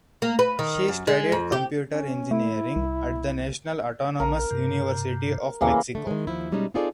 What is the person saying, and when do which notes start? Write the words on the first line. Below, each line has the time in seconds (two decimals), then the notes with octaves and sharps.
She studied computer engineering at the National Autonomous University of Mexico.
0.22 A#3
0.39 B4
0.59 D#3
0.88 F#2
1.07 G#3
1.32 F2
1.52 G4
1.88 C#4
2.31 A3 E4
2.76 C2
4.20 A#1 A#4
4.51 G2 C3
5.61 D#2 C#3 E3 A#3 A5
5.95 D3 A3
6.07 D#3 G#3
6.27 D#2 F3 E4
6.52 B2 G3 G#3 C#4 D#4
6.74 C4 D#4 F4 G#4 A4 D5